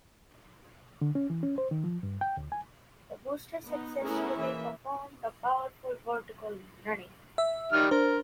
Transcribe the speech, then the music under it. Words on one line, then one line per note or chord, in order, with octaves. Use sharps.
The booster successfully performed a powered vertical landing.
D3
C#4
E3
C#4
C5
D#3
F3
G2
G5
D2
G#5
B3 D#4
A3 B3 C#4 E4 G#4 A#4
E3 A#3 E5
E5
D#3 G3 F6
D4 A#4 C5